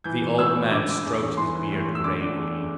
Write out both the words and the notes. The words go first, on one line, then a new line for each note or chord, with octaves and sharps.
The old man stroked his beard gravely.
E3 G6
E3
A2 E6
A2
D3 D6
D3
E2
E2
E3 C6
E3
A2
A2
E6
D3 D6
D3
E2